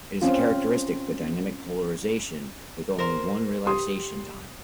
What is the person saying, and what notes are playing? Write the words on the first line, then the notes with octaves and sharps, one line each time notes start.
It is characteristic for dynamic polarization with only one relaxation time.
C4 C#4 F4
A#4 C5
G4 C6 D#6